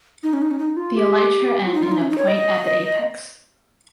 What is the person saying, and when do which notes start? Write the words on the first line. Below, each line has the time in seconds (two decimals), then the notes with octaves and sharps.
The elytra end in a point at the apex.
0.23 D#4
0.33 C#4
0.42 D#4
0.51 C#4
0.59 D#4
0.77 F4
0.95 G4
1.65 F4
1.74 D#4
1.83 F4
1.92 D#4
2.01 C#4
2.10 D#4
2.18 C#5
2.28 D#5